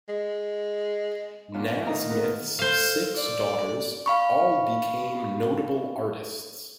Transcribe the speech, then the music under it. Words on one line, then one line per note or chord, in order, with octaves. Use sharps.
Nasmyth's six daughters all became notable artists.
G#3
A#2 B3 C#4 D4 F4
F2
D2 D#3 D#4 F5 A#5
B3 A#4 D#6
A4 C5 F5
D5
F5 B5 C#6